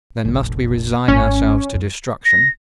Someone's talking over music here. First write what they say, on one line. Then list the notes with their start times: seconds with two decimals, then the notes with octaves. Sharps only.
"Then must we resign ourselves to destruction?"
0.25 F1 A#1
1.08 G#1 C#4
1.74 F#2
2.25 A#6